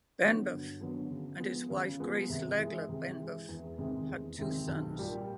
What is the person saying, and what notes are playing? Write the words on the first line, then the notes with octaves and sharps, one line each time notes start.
Benbough and his wife Grace Legler Benbough had two sons.
D3 F#3 B3
G2
D3 F#3 B3
C#3
F3 G#3 B3
C#3
F3 G#3 B3
C3
E3 G#3
C3
E3 G#3
E2
C3 D#3 G#3 C4
E2
C3 D#3 G#3 C4
B1
A#2 G3 A#3